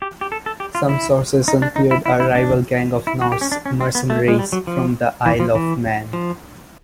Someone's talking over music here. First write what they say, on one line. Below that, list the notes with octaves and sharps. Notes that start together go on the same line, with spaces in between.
Some sources include a rival gang of Norse mercenaries from the Isle of Man.
G4
G4
A4
A4
G4
F4
E4
D#4
D4
D#4
E4
E4
E4
D4
E4
F#4
G4
C#4
D4
C#4
C4
B3
A3
G#3
G3
F#3
F3
E3
F3
E3
F3